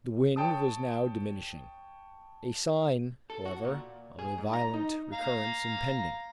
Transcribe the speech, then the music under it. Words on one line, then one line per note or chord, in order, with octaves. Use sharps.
The wind was now diminishing--a sign, however, of a violent recurrence impending.
C#5 G5 A5 D#6
A4
F#4
A#2
G#4
G#2
A#5
D#4
F5 A#5